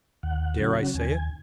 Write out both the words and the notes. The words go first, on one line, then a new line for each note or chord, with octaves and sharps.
Dare I say it?
D#2 F#5
C#3 F#3 C#4
D#2 G#5